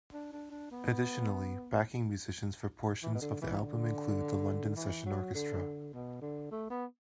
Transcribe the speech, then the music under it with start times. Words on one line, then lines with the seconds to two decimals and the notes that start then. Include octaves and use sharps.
Additionally, backing musicians for portions of the album include the London Session Orchestra.
0.13 D4
0.32 D4
0.51 D4
0.71 B3
3.03 E3
3.15 B2
3.22 D3
3.42 E3
3.61 D3
4.76 E3
5.06 F#3
5.35 D3
5.93 B2
6.21 D3
6.51 A3
6.70 B3